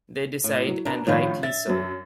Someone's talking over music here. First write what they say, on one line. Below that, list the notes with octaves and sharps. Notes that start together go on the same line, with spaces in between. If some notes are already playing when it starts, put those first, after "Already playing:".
They decide-and rightly so.
A2
F#3
B2 D4 A#4
A2 D#3 F3 D4 F4 C#5
E5 A6
F#2 F#3